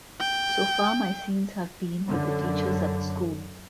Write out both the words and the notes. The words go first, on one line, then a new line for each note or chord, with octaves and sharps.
So far my scenes have been with the teachers at the school.
G5
F#2 D3